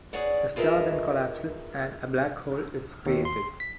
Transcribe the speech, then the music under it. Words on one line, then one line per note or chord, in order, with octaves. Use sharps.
The star then collapses and a black hole is created.
G#4 B4 C#5 D5 F#5
F4 G#4 A#4 B4 D#5 E5
D#2
C6
B6